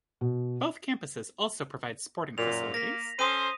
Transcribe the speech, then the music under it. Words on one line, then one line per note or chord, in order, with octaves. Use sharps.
Both campuses also provide sporting facilities.
B2
F#2 A#2 F7
A#3 A#6 B6
C#4 A4 C5 D#6 D#7